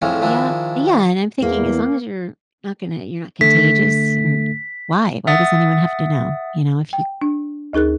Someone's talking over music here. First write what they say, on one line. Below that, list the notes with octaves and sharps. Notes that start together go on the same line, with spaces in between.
Yep. Uh, yeah, and I'm thinking, as long as you're not gonna you're not contagious, and Why? Why does anyone have to know? You know, if you
F2 A2 E3 F3 G#3 C#4
D#3 F3 G#3 D4 E4
E2 A#3
D3 A3 B6
E5 F#5 D#6 A6
G5
D4
D2 D#4 G#4 A#4 F#6